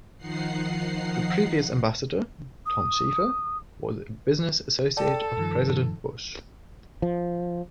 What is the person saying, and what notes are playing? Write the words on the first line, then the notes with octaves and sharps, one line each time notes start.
The previous Ambassador, Tom Schieffer, was a business associate of President Bush.
D#3 F3 D#4 F#5 C7
D#6
A4 D5 G5 A5
G2 D#3 F3
F3